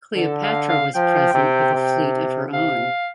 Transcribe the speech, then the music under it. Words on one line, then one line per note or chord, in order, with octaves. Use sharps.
Cleopatra was present with a fleet of her own.
D3 A4
F5
F5
F3 G5
C3
C3
C3 F5